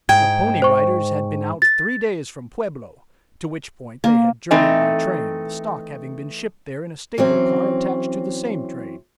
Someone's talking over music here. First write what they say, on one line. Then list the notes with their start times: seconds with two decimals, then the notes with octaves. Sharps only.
The Pony Riders had been out three days from Pueblo, to which point they had journeyed by train, the stock having been shipped there in a stable car attached to the same train.
0.09 G#2 G5 G#6
0.62 C5 C#6
1.62 A6
4.04 A#3
4.51 E3 A3 C4 D#4 D#5 G#5
7.18 E3 F#3 C4 C#4